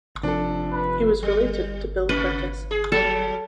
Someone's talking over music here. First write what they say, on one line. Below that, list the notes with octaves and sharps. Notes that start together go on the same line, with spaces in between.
He was related to Bill Kurtis.
C3 F3 D4 A4
B4
G3
C3 B4
G#4
F#3 G3 A4